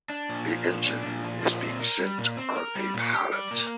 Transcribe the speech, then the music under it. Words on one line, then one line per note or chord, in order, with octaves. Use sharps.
The engine is being sent on a pallet.
D4
A#2
F3
A#2
D4
A#2
F3
A#2
C4
A#4
G3
A#2
C4
A#4
G3
A#2
G4
D5
A#3